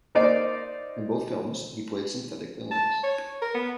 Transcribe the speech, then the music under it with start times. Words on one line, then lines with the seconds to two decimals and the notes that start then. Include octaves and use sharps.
In both films he played sympathetic villains.
0.15 A#3 D#4 C5 D5
2.71 A5
3.04 C#5
3.42 A#4
3.54 B3